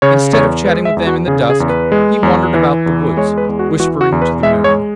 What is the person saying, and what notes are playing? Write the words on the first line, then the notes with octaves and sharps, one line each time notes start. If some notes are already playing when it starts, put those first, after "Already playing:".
Instead of chatting with them in the dusk, he wandered about the woods, whispering to the moon.
C#3 C#5
E2 C#5
G#3 B4
E5
E2
F#4
C#3 G#4
G#4
E2
B4
G#3
E2
E3
E2
G#3 C#5
B4
E2
F#4
E3 F#4
F#4
E2
B4
G#3 E5
C#5